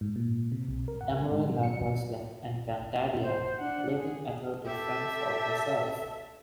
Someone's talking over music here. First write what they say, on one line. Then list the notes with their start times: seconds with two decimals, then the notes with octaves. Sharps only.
Emre likewise left Encantadia, leaving Ether to fend for herself.
0.01 G#2
0.16 A#2
0.52 C3
0.68 B1
0.88 A#4
1.01 F#5
1.17 G#5
1.31 G#2
1.49 F#3
1.63 C#7
3.24 C5
3.58 D4 F#5
3.96 G#4
4.66 G4 A4 E5